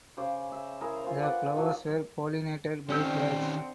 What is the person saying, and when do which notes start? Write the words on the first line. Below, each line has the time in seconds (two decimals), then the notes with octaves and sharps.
The flowers are pollinated by birds.
0.17 C#3 C#4 C5 D5
0.52 E5
0.81 E4 G#4 A#4
1.04 F4 G#4 C5
1.22 B4 D5 F#5
1.56 D#3 F3 F#3
2.90 D3 D#3 C4 C#4 D#4 G4 E6 G6